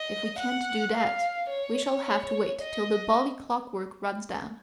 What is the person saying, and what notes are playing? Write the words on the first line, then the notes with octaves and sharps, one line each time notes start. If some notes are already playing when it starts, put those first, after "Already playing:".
If we can't do that, we shall have to wait till the bally clockwork runs down.
Already playing: D#5
F#5
F5
C#5
D#5